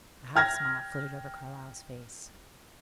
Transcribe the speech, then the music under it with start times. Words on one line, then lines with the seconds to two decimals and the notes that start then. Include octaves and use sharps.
A half smile flitted over Carlyle's face.
0.36 G5 F6 G#6 A#6